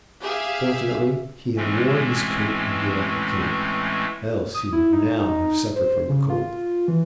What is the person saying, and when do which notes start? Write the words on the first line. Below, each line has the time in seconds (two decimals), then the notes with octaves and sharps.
Fortunately he had worn his coat when he left the camp, else he would now have suffered from the cold.
0.21 G4 G#4 E5 F5
1.57 A2 E3 G#3 A3 C4 C#4
4.54 D#6
4.73 E4
4.93 D#4
5.20 D#4
5.76 C5
6.09 C#3
6.30 F4
6.88 E3